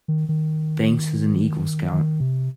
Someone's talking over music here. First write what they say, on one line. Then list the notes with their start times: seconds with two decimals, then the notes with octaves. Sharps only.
Banks is an Eagle Scout.
0.08 D#3
0.29 D#3
1.93 D#3
2.20 C3